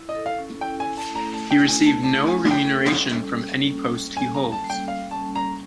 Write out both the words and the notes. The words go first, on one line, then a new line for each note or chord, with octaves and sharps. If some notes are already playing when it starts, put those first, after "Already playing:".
He received no remuneration from any post he holds.
Already playing: E4
D#5
A4
F5
C#4
E4 G5
G#5
E4
A5
A3
A#5
A3 A5
G5
E4
G#5
A3
A5
A3 A5
C#4 G#5
A4 G5
C#4
G3
G3
A#3
C#4
G3
A#3 G#5
A#5
G3
A5
G3
G5
G3 F5
C#4 A5
G3 A#5